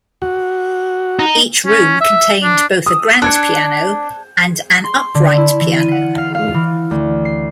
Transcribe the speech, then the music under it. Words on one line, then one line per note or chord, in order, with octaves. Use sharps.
Each room contained both a grand piano and an upright piano.
F#4
D#4
C#4
E5
D4
D#6 E6
D4 F#6 G#6 C#7
C6
D3
E4
E3
D#7
F#5
F5
F5
E3
D2
C7